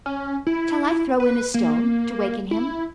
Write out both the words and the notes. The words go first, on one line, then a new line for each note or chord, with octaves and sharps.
"Shall I throw in a stone, to waken him?"
C#4
E4
B4
A#3
E4